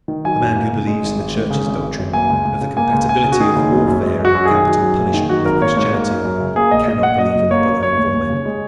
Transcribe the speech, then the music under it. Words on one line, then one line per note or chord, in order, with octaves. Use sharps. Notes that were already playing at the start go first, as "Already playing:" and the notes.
The man who believes in the Church's doctrine of the compatibility of warfare and capital punishment with Christianity cannot believe in the brotherhood of all men.
D#3
F#3 G#5
F#2
A#3
C#3
G#3
G#1
G#1
G#2
C#3
G#1
G#1
F#2
A#3 G#5
C#2
C#2
C#3
A#3 G#5
C#2
C#2 G#5
C#3
F#4
D#3 G#4
F#1
F#3
F#2
G#3
F#2
F#4
F#2
G#4
D#3
F#3
F#2
A#3
D#3
F#3 F#4
G#1 A#4
A#3 C#5
G#2 C#5
A#3 A#4
F#2
F#2
C#3
A#3 G#4
A#1 D#5
A#1 D#5
A#2 F#5
F#3 D#5
F#1
A#3 C#5
F#2
A#3 C#5
D#2
D#2
C#3
G#3